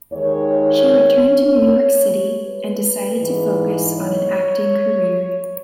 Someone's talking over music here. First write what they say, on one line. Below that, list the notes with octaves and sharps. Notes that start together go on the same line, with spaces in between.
She returned to New York City and decided to focus on an acting career.
D#2 D#3 G#3 C#5
B4
G#2 E3 G#3
C#5